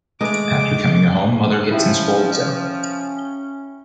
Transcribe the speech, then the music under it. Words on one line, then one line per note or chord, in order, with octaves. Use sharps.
After coming home mother hits and scolds him.
G#3 A3 B4 D#5 D6
F3 C#4 E4 G4 E5